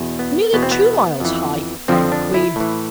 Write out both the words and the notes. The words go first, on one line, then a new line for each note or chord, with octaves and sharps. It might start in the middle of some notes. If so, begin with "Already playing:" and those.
'Nearly two miles high,' added the Queen.
Already playing: E2 B2
B3
E2 B2 B3
C4
B3
F2 E3
F2 D3 F3 C4
D4
E4
A2 E3